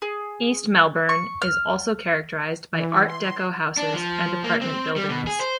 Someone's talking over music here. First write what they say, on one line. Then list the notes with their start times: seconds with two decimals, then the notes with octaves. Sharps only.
East Melbourne is also characterised by Art Deco houses and apartment buildings.
0.02 G#4
1.09 C#6
1.42 F6
2.72 E3
3.07 C6
3.77 D4
3.94 F3
4.44 A#3
4.61 C4
4.96 G3
5.09 B2
5.27 G#4
5.40 C5